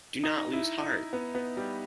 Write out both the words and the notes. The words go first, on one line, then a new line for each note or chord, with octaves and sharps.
Do not lose heart!
D#4
E4
D#4
B3
B3
G3